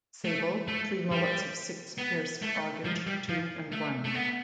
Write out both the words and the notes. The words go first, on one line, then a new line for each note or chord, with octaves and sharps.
Sable, three mullets of six pierced Argent two and one.
A3
A3
G3
B3
A3
F3
G3
F3
A3
A3
B3